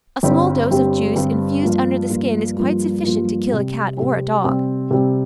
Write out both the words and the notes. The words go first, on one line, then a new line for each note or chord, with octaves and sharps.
A small dose of juice infused under the skin is quite sufficient to kill a cat or a dog.
G1 G2 G3 C4 G4
G1 G2 G3 C4 G4
G1 G2 G3 C4 G4
G2 F3 A#3 F4
G2 F3 A#3 F4
G2 F3 A#3 F4
G2 F3 A#3 F4
C3 G3 C4
C3 G3 C4
C3 G3 C4
C3 G3 C4